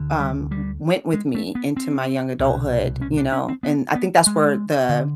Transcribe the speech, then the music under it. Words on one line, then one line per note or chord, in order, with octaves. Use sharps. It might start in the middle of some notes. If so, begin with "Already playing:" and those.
um, went with me into my young adulthood, you know? And I think that's where the
Already playing: D2 D3
G3
G3
G#3
A3
B3
C4
C2 B2
C#4
D4
C#4
C4
B3
B3
G#3
D3